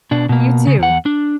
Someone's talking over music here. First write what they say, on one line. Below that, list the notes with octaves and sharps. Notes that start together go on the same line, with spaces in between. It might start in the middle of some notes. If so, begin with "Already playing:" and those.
You, too.
B2 D4
B2 A#3
C#3
E2 F#5
D4